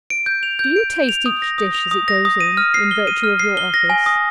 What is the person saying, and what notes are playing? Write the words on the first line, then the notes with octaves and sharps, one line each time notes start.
'Do you taste each dish as it goes in, in virtue of your office?
D7
G6
F7
G6
D7
G6
F7
D#6
A#6
D#6
F7
D#6
A#6
D#6
D#7
F6
C7
G7
D#7
F6
C7
G7
A#6
G#5
D#6